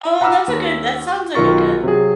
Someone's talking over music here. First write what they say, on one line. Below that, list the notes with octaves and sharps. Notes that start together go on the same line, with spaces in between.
Oh, that's a good that sounds like a good
F#5 A#5 B5 D6 E6 F6
D#2
B1 D#3 F4 A#4 C#6 A6
C3 F#3 G#4